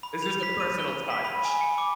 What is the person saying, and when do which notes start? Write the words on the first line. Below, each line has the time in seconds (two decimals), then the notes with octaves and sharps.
It's just a personal touch.
0.03 B5
0.22 F7
0.43 B6
0.60 D#7
0.80 G7
1.10 B6
1.25 B5
1.45 G#5
1.61 C#7
1.78 D6